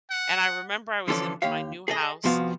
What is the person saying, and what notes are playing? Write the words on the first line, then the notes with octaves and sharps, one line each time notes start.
And I remember I was in my new house
F#5
D3 E3 F3 C#4 D4 A4
D#2 G4 C#5 F5
G#4 A4 D#5
C2 F2 F3 B3 F#4 F5